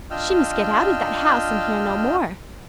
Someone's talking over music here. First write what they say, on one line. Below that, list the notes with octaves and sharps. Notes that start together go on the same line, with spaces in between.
She must get out of that house and hear no more.
D4 F4 D#5 G5 E6 F6